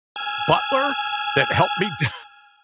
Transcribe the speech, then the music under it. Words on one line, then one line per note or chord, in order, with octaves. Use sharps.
butler that helped me down
G#5 E6 F6 G#6